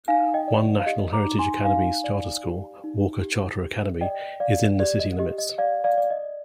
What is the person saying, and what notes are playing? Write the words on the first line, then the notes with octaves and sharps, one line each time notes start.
One National Heritage Academies charter school, Walker Charter Academy, is in the city limits.
D#4 F5 G#5
D#5 G5
D5
F5
G4 D#5
A#5 D6
D#4
G#5 C6
D#4 F5 G#5
D5
G4
D#4
G4
G4
D5 D#5 G5
D5 F5
G4 D5
D#5
G4 D#5
D#5
D5 F5
D5 F5
D5
D#5